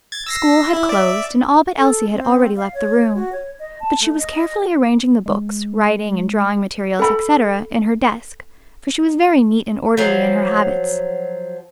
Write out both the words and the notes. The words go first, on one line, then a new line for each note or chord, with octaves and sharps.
School had closed, and all but Elsie had already left the room; but she was carefully arranging the books, writing and drawing materials, etc., in her desk, for she was very neat and orderly in her habits.
G#6 A6
E6 A#6 C7
E4
D5 E5
A4
C4
F5
C#5
F#4
C#5
D#5
A5
A3
D#5
G#3
A4 B5
F3 F#3